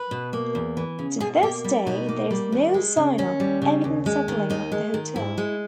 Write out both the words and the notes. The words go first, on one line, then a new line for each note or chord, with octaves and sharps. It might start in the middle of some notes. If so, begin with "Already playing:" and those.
To this day there is no sign of evident settling of the hotel.
Already playing: B4
B2
A#3
E2
E3
C#3
B2 G#4
A#3 G4
G3
B2 D#4
A#3
G3
D#2
G#3
C#3
D#2 C#4
G3
C#3
D#2
G#3
D#3
D#2 D#4
G#3
D#3
G#2 E4
G#3